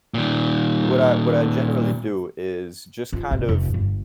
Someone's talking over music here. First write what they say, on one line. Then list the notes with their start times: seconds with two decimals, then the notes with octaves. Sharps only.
what I what I generally do is just kind of,
0.14 A#2 D#3
3.13 F4
3.31 G#2 C3
3.49 F1
3.74 G1